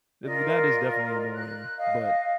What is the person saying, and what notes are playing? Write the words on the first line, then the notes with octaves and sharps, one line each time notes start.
w that is definitely annoying, but
F4 A#4 D5 D#5
F#6
D#5 F5